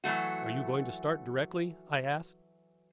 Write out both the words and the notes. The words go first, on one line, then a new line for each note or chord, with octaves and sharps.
"Are you going to start directly?" I asked.
E3 F#3 A3 F#4